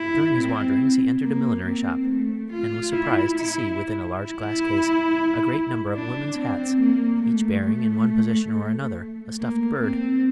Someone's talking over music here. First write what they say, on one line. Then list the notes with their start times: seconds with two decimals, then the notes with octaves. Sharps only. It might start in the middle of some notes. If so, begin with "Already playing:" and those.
During his wanderings he entered a millinery shop, and was surprised to see within a large glass case a great number of women's hats, each bearing in one position or another a stuffed bird.
Already playing: E4
0.37 C4
1.22 A#3
1.65 C4
2.08 A3
2.52 F4
2.94 E4
3.38 E4
4.23 E4
5.94 D4
6.38 C4
6.80 A#3
7.24 A3
9.39 A#3
9.81 C4